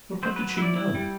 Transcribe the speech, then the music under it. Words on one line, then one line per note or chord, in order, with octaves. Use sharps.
"But what did she know?"
F#3 C5
B4
F#3
B4
E4 D5
E4
G3